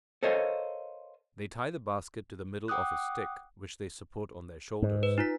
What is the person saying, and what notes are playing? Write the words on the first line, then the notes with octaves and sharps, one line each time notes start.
They tie the basket to the middle of a stick, which they support on their shoulders.
A4 A#4 C5 C#5 D#5 F5
F#5 G5 D6 D#6 F#6
G#2
B4
D#4 F4 B6